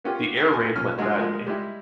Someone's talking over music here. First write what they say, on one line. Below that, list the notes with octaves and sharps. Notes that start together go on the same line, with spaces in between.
The air raid went badly.
A#3 B3 C#4 F4 G4
A#4 G#5
B1 A#2 C#4 F6
F#3 G#3 D4 E4 F4 G#4
F3 G#3 A#3 D#6
G3 G#3 E4